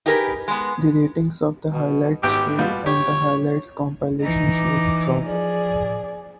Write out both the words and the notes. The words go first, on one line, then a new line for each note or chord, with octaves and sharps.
The ratings of the highlights shows and the highlights compilation shows dropped.
D#4 G4 G#4 A#4 B4
G#3 B3
B2
G#1 B3 G4 G5
B2 G3 B3 F4
G4 C#5
E3 D#4
D6
F3 G#4 D5